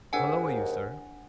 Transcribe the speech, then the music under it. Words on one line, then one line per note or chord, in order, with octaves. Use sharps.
Holloa, you sir!'
D#2 G#2 D4 F#5 G#5